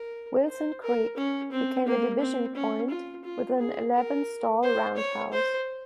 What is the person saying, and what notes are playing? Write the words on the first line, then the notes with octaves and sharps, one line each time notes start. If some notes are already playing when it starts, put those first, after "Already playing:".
Wilson Creek became a division point with an eleven stall roundhouse.
Already playing: A#4
C5
A#4
C#4
C4
A#3
C4
C#4
F4
F4
G#4
A#4
C5
C#5
C5